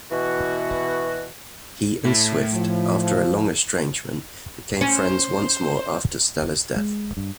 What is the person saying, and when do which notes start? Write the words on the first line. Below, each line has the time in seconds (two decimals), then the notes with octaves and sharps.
He and Swift, after a long estrangement, became friends once more after Stella's death.
0.11 B2 E3 F#4
2.05 A2 E4
2.54 F3
4.81 C#4 C5
6.76 G#3
7.17 G2